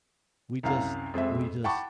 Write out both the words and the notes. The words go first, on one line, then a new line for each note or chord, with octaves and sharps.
we just we just
C2 F#2 F5
F2 G#3 C4 E5
F#5 G5 A5 B5 C#6 D6